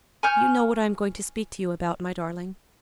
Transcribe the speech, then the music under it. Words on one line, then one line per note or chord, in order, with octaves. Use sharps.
"Do you know what I am going to speak to you about, my darling?"
G#5 C#6 F6 G6